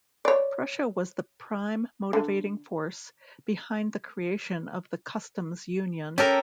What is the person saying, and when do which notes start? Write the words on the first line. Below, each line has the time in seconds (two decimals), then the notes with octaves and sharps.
Prussia was the prime motivating force behind the creation of the customs union.
0.25 C#5 D5
2.13 D3
6.18 C#4 G4 A4 A#4